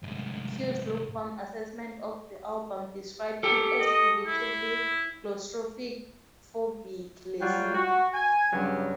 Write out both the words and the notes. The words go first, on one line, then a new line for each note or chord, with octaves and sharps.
"Q"s lukewarm assessment of the album described it as "predictably claustrophobic listening".
C2 G#2
G4 A4
D#5
E4
F#3 G3 F4 F#4 G5
F#4
G#5
G2 C#3 F#3 G3